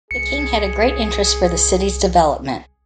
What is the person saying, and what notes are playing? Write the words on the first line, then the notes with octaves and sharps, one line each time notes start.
The king had a great interest for the city's development.
C2 G#4 C#7